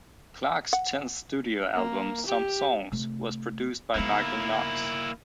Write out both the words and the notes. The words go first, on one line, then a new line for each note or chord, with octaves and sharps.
Clark's tenth studio album, "Some Songs", was produced by Michael Knox.
F#5
A#3
G4
C3 A3
A#3 B3 D#4 E4